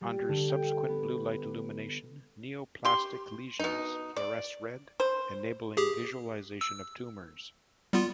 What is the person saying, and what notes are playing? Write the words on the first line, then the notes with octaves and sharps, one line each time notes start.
Under subsequent blue light illumination, neoplastic lesions fluoresce red, enabling visualization of tumors.
G3
D3
G5
B3
G4 C6
B2 D#4
D5
C5
G4 G#4
E6
G3 B3 F4